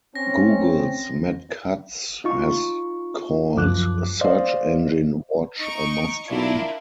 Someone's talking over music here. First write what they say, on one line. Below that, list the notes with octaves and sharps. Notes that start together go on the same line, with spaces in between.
Google's Matt Cutts has called Search Engine Watch a must read.
C4 C#4 A#6
D#4 F4 C#6
C#2 F#2 F3 D6 F#6
C5 D5 D#5 F5
D#4 C#6 D7
D4 E4 F4 A#4